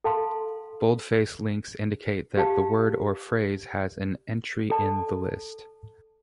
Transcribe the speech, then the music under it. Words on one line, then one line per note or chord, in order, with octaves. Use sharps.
Boldface links indicate that the word or phrase has an entry in the list.
A4 F5 A5 C6
G4 F5 A5
A4 D5 A5